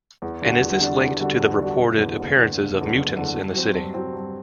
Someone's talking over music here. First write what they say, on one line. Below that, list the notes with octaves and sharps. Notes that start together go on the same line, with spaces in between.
And is this linked to the reported appearances of mutants in the city?
E2
D3 G3 D4 F#4
E2
D3 G3 D4 F#4
E2
D3 G3 D4 F#4
E2
D3 G3 D4 F#4
F#1
E2 D3
F#1
E2
D3
F#1
E2 D3
F#1
E2 D3
G2
F#3 C4
G2
F#3 C4
G2